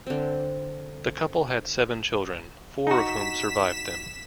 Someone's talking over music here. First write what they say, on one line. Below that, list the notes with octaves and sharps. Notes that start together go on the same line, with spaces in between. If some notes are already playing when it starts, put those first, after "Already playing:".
The couple had seven children, four of whom survived them.
D3 C4
D#4 F#4 B6 E7